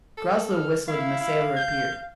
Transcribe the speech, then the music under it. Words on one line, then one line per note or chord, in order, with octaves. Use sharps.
Groslow whistled and a sailor appeared.
A4
F6
E4 F5
E4
G6